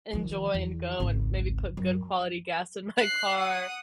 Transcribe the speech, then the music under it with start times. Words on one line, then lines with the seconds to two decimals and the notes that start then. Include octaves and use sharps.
enjoy and go and maybe put good quality gas in my car.
0.13 D#3 F3
0.54 E2
1.00 G#1 C#2
1.77 F#2
2.98 F#6 C7
3.37 F#5 D#6